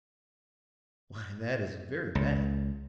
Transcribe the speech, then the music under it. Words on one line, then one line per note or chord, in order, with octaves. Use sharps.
Why, that is very bad!
C#2